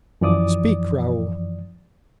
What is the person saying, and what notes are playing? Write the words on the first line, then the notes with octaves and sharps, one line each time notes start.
"Speak, Raoul."
F#2 E3 F3 D5 D6 D#6